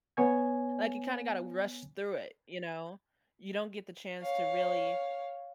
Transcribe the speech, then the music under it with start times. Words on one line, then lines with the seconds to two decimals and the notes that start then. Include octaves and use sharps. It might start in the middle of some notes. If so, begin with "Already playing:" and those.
Like, you kinda gotta rush through it, you know? You don't get the chance to really
0.17 B3 C#5 G#5 G#6
4.21 C#5 F5